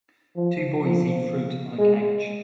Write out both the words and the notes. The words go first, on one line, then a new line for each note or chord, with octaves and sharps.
Two boys eat fruit on a couch.
F3
F3
G#3